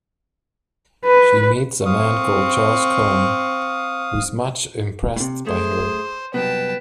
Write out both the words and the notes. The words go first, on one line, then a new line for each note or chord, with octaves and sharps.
She meets a man called Charles Cohn who is much impressed by her.
B4
C4 F5 C#6 D#6
A2 C3
A3 G#4 C5
C2 F#2 B2 B4 G5 A5